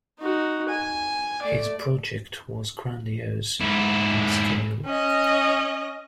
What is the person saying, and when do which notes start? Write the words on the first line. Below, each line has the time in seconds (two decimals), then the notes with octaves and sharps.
His project was grandiose in scale.
0.20 D#4 F#4
0.69 G#5
1.42 A3 D5
3.61 G#2 E4
4.86 C#4 D#5